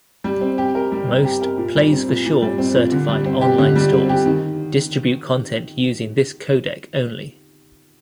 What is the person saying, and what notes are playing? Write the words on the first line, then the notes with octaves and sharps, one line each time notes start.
Most PlaysForSure-certified online stores distribute content using this codec only.
G3
C4
G4
A#4
G3
C4
G4
A#4
A#2
G3
C4
A#2
A#2
G3
C4
A#2
D3
G3
C4
G4
D3
G3
C4
G4
D#3